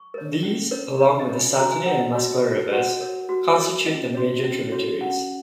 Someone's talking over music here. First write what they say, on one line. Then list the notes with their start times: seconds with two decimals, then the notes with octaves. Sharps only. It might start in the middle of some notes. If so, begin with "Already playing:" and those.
These, along with the Sahtaneh and Muskwa Rivers constitute the major tributaries.
Already playing: C#6
0.14 A#4 C#5
0.43 C#4
0.71 A#4 C#5
1.00 C#4 C#5
1.20 D#5
1.29 A#4 C#5
1.39 G#5
1.58 F#4 A#5
1.72 G#5
1.86 A#4 C#5 F#5
2.00 D#5
2.15 F#4 C#5
2.44 A#4 C#5
2.72 F#4 F#5
3.01 A#4 C#5
3.29 F#4
3.57 A#4 C#5
3.86 C#4 D#5
4.14 F#4 C#5
4.43 C#4
4.72 F#4 C#5
5.01 C#4 F#5